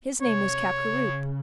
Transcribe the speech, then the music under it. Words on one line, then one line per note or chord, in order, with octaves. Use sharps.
His name was Capgaroupe.
C3 C#5
C#3